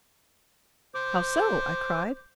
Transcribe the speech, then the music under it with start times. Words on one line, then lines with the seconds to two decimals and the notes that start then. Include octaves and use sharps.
"How so?" I cried.
0.95 C5 D6